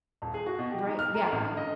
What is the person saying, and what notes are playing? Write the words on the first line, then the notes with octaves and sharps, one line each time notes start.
Right, yeah.
D#1
G#4
F#4
B2
G4
D#4
F6
A#5
A1
D3
D#5